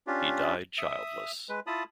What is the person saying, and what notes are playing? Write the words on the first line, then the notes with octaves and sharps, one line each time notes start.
He died childless.
C#4 D4 F4 G4
E5 D#6
G#3 B4
E4 F4 A5 B5 D#6